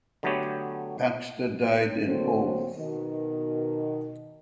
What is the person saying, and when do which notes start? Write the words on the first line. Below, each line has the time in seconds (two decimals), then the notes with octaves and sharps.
Baxter died in Hove.
0.23 D3 F#3 A3 B3 G4 C#5
2.05 D3 F#3 A3 A#3 C4
2.76 B2 D#3